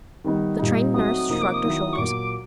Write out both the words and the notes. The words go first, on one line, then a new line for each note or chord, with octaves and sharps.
The Trained Nurse shrugged her shoulders.
D#3 G3 B3 D#4
A#2 G3 A#3 D#4
F#3 A3 C4 D#4 F#4 D#6
C3 F3 A#3 D#4 D#6
D6
D#6
D#3 F#3 B3 E4
C#6
A#2 F#3 A#3 D6